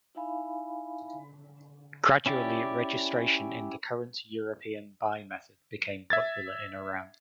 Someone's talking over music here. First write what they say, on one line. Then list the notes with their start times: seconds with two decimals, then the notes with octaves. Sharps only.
Gradually registration in the current European bye method became popular in Iran.
0.15 D#4 E4 E5 F5 G#5 B5
2.26 C#4 E4 G4 D5
6.10 E5 G#6 A6